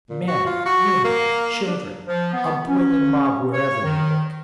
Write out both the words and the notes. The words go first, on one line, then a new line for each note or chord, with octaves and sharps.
Men, women, children, a boiling mob wherever you look.
A#2
F#4
F4
F#4
A#3
D4
F3
B3
C#4
C#5
D#3